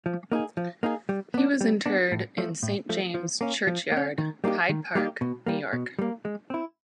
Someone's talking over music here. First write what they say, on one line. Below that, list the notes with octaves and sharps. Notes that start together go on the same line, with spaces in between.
He was interred in Saint James Churchyard, Hyde Park, New York.
F3
A#3 D#4 G#4
F3
A#3 D#4 G#4
G3
B3 D4
G3
B3 D4
A2
F3 A3
A2
F3 A3
F3
A#3 C#4
F3
A#3
C#4
D#3
G3 A#3 D#4 G4
D#3
G3 A#3 D#4 G4
B2
G3 A#3
B2
G3 A#3
G#3
C4 E4